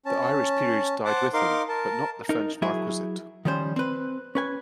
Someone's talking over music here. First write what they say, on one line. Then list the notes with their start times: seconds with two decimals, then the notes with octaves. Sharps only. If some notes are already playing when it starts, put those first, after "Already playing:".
The Irish peerage died with him, but not the French marquisate.
0.06 C#4 A5
1.05 C5 F#5 A5 D6
1.34 D#4 A#4 F5 C6 D6
1.68 A#4 A5
2.29 D#4 A#4
2.62 F#3 E4 G#4 E5
3.45 D#3 F3 G3 C#4 C5
3.76 C4 B4
4.35 C#4 B4 G#5